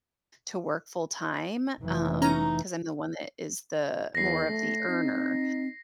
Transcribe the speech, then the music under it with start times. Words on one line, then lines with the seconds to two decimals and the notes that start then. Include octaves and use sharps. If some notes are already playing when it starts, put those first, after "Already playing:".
to work full time, um, 'cause I'm the one that is the more of the earner,
1.81 F1 E3
2.22 C#4 D#4 A#5
4.15 E2 A#6 C7
4.48 A3
4.88 C4 D#4